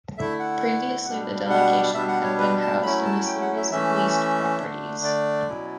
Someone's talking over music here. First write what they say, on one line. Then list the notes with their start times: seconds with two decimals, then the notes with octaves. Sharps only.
Previously the delegation had been housed in a series of leased properties.
0.18 D3 A3 E4 E5
0.39 F#5
1.06 B2 G3 D4
1.50 F#5
1.94 B2 G3 D4 E5
2.08 F#5
2.23 C#5
2.39 B4
2.61 A5
2.82 F#3 A3 C#4 E4 B5
3.05 A5
3.26 G5
3.41 F#5
3.57 E5
3.70 E3 A3 C#4 E5
4.59 D3 A3 D4
5.04 D5
5.48 B2 F#3 C#4 E4